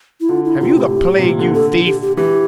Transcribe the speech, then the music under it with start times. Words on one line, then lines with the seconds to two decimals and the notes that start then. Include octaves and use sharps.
Have you the plague, you thief?
0.21 E4
0.29 D3 F4
0.45 E4
0.61 C3 F4
0.76 A2 G4
1.18 C3
1.23 A#2
1.39 D3
1.55 A4
1.86 G4
2.02 G4
2.17 E3 G4